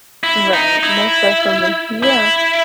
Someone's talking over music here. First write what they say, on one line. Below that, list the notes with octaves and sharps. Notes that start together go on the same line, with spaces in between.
Right, most definitely. Yeah.
E4
D#4
E4
E4